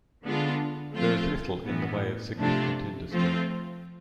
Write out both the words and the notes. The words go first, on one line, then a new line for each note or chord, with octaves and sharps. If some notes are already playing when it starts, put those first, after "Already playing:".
There is little in the way of significant industry.
D3 G#3 B3 D4 F4
F3 A3 C4 F4
A2 E3 B3
C3 F3 A3 D4 F4
F3 A3 C4 F4